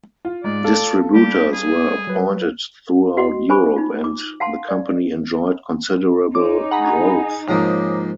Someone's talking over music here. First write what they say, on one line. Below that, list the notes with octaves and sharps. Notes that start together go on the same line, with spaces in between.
Distributors were appointed throughout Europe and the company enjoyed considerable growth.
F4
G#2 G#3 D5
A4 F5
G3 G4
G#4
F#3 B4
F#4 D#5 F#5 C6
C5 G#5 B5 C#6 D6
D#4 F4
D6
F5 F#5 A5 C6
D5
C#4 D#4 D6
G#4 F#5 A#5 B5
G#2 F3 A#3 C#4 A#5 D6 D#6